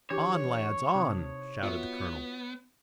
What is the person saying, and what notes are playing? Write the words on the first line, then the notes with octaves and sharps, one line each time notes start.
"On, lads, on!" shouted the colonel.
E3 D4 G4 C#5 D6
C3 D#4 C5 D#6
B3 F4 F#4 E5